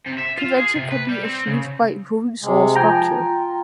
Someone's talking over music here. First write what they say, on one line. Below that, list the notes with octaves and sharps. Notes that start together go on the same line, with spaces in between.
Prevention can be achieved by improving soil structure.
C3
E5
F4
G#4
C3
B4
G3
C4
C#3
C3 G#3
F3 G5 G#5 A#5
F4